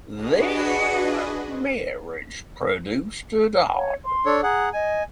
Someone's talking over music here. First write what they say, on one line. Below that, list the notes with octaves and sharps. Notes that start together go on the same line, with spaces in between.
Their marriage produced a daughter.
D4 F#4 G#4 B4 D#5
C#5
C6
D4 A4 C#5
G#4 F#5 A#5
D#5 G#5